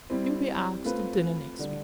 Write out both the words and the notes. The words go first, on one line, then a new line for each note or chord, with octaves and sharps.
You'll be asked to dinner next week.
G3 C4 E4
A3 C4 F4 B4
D3 G3 D4